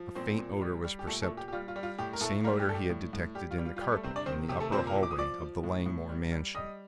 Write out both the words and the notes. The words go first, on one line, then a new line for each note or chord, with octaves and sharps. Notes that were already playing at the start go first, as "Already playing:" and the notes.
A faint odor was perceptible, the same odor he had detected in the carpet on the upper hallway of the Langmore mansion.
Already playing: F3
A#2 C4 C5
A#2
G3
G3
G4
A#2 A3 A4
A3 A4
A#2
G4
G4
G3 F4
F4
G3
F4
A2 G4
A#4
A2 A3 A4
G3 A#3 A#4
G4
G3 A4
G4
A2
A2
G3 G4
F4
G3
F4
F4
G3 G4
A3 A4
C3 C4 C5
D4 D5
D#3 C4 C5
C3 G4
A3 A4
A#2 C4 C5
A#4 A#5
A#2
D6
D#6
F3 D5 D6
F3
A2
A2
G3
G3
G3 D#5 D#6